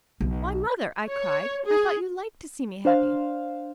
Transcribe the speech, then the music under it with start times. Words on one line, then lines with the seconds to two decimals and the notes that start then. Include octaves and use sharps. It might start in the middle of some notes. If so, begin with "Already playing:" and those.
"Why, mother!" I cried, "I thought you liked to see me happy!"
0.20 B1
1.09 C#5
1.66 G#4
2.85 D4 C5 F5